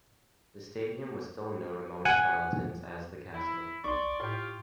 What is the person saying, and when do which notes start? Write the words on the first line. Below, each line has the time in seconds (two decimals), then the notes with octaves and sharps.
The stadium was still known among Charlotteans as The Castle.
2.05 F#5 G#5
3.34 E4
3.84 B1 D5 C6 C#6
4.20 A2 F4 G4